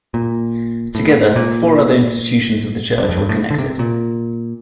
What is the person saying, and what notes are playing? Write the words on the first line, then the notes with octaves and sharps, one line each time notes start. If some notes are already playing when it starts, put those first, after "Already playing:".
Together, four other institutions of the Church were connected.
A#2
A2
A#2
C3
G2
F2
G2
A2
D3
C3
A#2